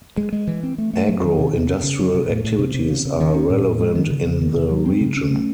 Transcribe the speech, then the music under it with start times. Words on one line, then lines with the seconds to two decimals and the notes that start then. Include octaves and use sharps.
Agro-industrial activities are relevant in the region.
0.17 G#3
0.33 G#3
0.47 E3
0.63 C4
0.78 A3
0.93 A3
1.09 F#3
1.24 D#3
1.39 C3
1.53 C3
1.69 C#3
1.84 C#3
1.99 F#3
2.14 C3
2.30 A2
2.44 A2
2.59 C3
2.74 C3
2.90 C#3
3.05 C#3
3.20 D#3
3.34 C#4
3.50 A2
3.65 A2
3.81 G#3
3.95 D#3
4.10 C#3
4.26 C#3
4.41 D#3
4.56 C3
4.70 F#3
4.85 C4
5.01 C#3
5.17 C#4
5.31 A3